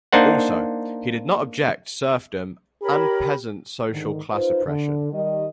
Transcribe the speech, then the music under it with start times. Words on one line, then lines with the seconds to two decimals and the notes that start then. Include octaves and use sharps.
Also, he did not object serfdom and peasant social class oppression.
0.13 A#3 D4 D#4 C5 F#5
2.82 G4 A#4 C#5 B5
3.90 G#2 D3 D#3
4.33 D#4 F4 B4 C5
4.66 D3
5.13 D#3 G3 D#5